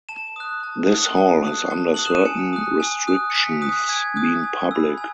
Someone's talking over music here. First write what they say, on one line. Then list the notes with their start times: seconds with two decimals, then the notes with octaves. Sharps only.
This hall has under certain restrictions been public.
0.09 A5 E7
0.36 D#6 F#6
0.63 A5
0.90 D#6 F#6
1.17 A5
1.45 D#6 F#6
1.71 A5
1.94 D#6 F#6 F#7
2.05 E7
2.15 D#7
2.25 G#5 C#7
2.53 D#6 F#6
2.80 G#5
3.07 D#6 F#6
3.30 C#7
3.35 G#5 B6
3.62 D#6 F#6
3.89 G#5 G#6
4.16 D#6 F#6
4.43 G#5
4.71 B5 E6
4.98 G#5